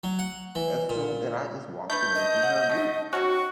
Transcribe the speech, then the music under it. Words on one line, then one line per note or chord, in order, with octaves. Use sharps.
assumed that I just walked away from her group
F#3
F#5
E3
A#2
A3 D4 B4 G6
D#5
F#5
A3
D#3 F#3 C#4 F#4 C#6